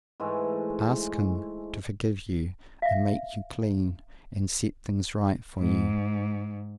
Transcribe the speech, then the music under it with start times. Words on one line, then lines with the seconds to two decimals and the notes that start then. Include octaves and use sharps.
Ask him to forgive you and make you clean and set things right for you.
0.20 G#2 E3 G#3 A3
2.82 E5 F5
5.58 G#2